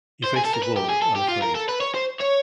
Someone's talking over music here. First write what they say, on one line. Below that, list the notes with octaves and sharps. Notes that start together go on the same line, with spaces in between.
He faced the world unafraid.
C5
G#4
A4
A#4
B4
G4
G#4
A4
G4
F4
A#4
A4
B4
C#5
C5
C#5